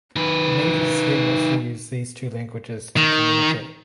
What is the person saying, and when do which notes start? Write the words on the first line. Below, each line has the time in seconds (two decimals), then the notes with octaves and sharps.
The natives here mostly used these two languages to communicate.
0.16 D#3 B4
2.97 D#3